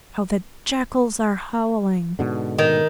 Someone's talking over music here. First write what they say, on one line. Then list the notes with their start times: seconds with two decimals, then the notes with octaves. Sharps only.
How the jackals are howling....
2.19 G#2 B2 D3
2.59 D#3